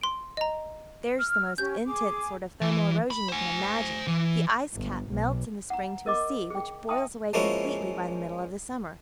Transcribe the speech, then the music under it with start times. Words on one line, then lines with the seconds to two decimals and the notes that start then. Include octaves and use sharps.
There's the most intense sort of thermal erosion you can imagine--the ice-cap melts in the spring to a sea, which boils away completely by the middle of the summer.
0.01 C6 D7
0.37 D#5 A#5
1.18 E6 F6
1.58 C#4 G4 G6
1.85 G#4 D6
2.62 E3
3.10 B5
3.29 C5 G#5
4.07 E3
4.75 G1
5.11 B1
5.70 F#5 A#5
6.06 A#4 D#5 D6
6.50 G#4 G5
6.89 E5 G5 A5 C6 D#6
7.33 F3 G#3 A#3 C#4 E4 F#4